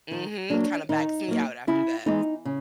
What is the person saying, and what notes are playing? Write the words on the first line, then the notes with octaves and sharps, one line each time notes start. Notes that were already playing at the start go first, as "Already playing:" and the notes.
Mhm. Kinda backs me out after that,
D#3
F#3 A#3 D4
D#3 D#4
F#3 A#3
C#3 E4
E3 G#3 B3 D#4
C#3